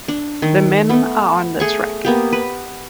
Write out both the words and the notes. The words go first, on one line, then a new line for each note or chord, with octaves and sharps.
The men are on the track.
D4
D#3
A3 B3
A3 G#4 C#6
A#3 B3 G4
B4